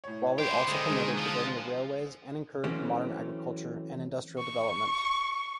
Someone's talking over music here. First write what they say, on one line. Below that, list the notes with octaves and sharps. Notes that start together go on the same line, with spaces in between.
Lawley also promoted the building of railways and encouraged modern agriculture and industrial development.
A2 C#5
E4 G4 C5
D3 G#3 D#6 E7
D3 D#3 G#3 G#4
F3
E3 F#3 A3 C4 C#4 C5
C#6